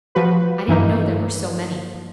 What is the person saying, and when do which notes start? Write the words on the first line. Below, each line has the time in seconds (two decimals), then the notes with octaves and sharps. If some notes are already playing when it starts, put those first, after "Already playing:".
I didn't know there were so many.
0.15 F3 F#4 B4
0.68 G2 E3 A#3 D#4